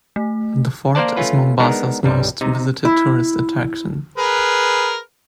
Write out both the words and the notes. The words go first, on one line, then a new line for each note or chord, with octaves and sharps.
The fort is Mombasa's most visited tourist attraction.
A3
A#3 A#4 C5 D5 A5
A3 C#4 F4 B4
G#3 B3 D4 D#4 A#4
B1 G2 G3
C3 D#4
E4
G#4 A#4 B4